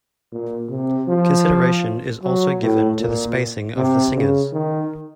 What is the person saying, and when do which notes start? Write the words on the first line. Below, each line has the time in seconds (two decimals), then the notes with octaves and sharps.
Consideration is also given to the spacing of the singers.
0.32 A#2
0.70 C3
1.09 F3
2.23 F#3
2.61 A2
3.00 A#2
3.77 C3
4.15 C#3
4.53 D#3